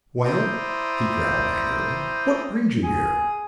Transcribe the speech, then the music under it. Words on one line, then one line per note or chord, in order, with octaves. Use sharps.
"Well!" he growled, angrily, "what brings you here?"
E4 C5 D5 G5 A#5 D#6
G#4